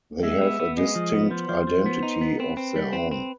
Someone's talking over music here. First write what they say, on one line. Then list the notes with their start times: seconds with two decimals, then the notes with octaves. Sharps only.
They have a distinct identity of their own.
0.23 G#3 E5
0.42 B3
0.60 B3
0.77 G#3 D#5
0.95 F3
1.14 B3
1.31 F3 C5
1.49 F3
1.67 F3
1.86 B3
2.03 D#4
2.21 B3
2.39 C4 B4
2.57 C4
2.76 G3
2.93 C4
3.11 C4